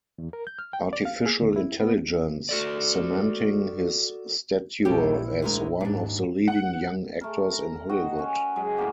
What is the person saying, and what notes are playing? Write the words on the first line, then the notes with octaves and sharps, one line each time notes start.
Artificial Intelligence, cementing his stature as one of the leading young actors in Hollywood.
E2
A#4
G6
F6
G5
D5
F5
G#4
D2
E4
B3
F#4 A4 D5
A#1 C#3 G3 E4 G4
D2 G#3 A#4
D#2 G#2 D4
F#5
A3 A#4
A#5
F#4 D#5 G5
C#4
F#3 G#3
A2 C#3 A#3 G5